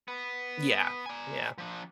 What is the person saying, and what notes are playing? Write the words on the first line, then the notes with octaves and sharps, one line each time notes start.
Yeah, yeah.
B3
D5 G#5
F3 D4